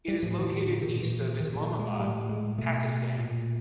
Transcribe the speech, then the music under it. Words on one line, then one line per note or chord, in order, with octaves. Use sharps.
It is located east of Islamabad, Pakistan.
G3
A2 F3
D#3
D#3
D3
A#2 D#3
E3
E3
A#2 D#3
E3
D#3
G#3
A2 G3
G#3
B2 A3
A#2